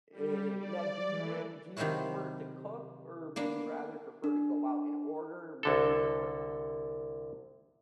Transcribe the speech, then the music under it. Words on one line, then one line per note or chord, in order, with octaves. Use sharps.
Eh, now do you do you prefer to cook, or would you rather prefer to go out and order? What do you prefer?
G3
D5
E3
C3 D#3 F3 F#3 E4 F#4
A#3 B3 D4
D4
C2 D3 A4